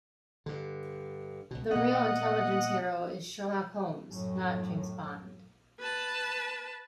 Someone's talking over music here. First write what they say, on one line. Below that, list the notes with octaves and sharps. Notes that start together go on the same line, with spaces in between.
The real intelligence hero is Sherlock Holmes, not James Bond.
G2 D3
C#2 B2
A#2 A#3 B3 D#5 F#5
F#2 A2
B4 A5